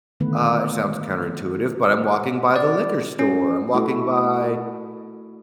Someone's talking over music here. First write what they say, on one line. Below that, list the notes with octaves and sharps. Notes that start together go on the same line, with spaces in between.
uh, it sounds counterintuitive, but I'm walking by the liquor store, I'm walking by,
D3 D#3 A3 B3 B4
D5
C#4
A3 E4 F#4